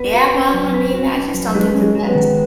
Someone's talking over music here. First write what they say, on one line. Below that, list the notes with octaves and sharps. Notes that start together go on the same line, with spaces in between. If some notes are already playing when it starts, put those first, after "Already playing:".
Yeah, well, I mean, I just don't think that that's
Already playing: B3 B4
F#4
C#4
F#3
B4
F#4
C#4
F#3
G#3 B4
C#4
G#3
F#3
B3
D#3